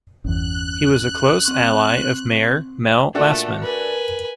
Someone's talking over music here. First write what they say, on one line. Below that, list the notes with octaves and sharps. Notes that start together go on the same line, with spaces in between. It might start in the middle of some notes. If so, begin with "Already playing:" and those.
He was a close ally of mayor Mel Lastman.
G1 E2 C#4 F#6
C4 C6 C#6
A#2 A3 D4 F#4 A4
A#4 B4 G#5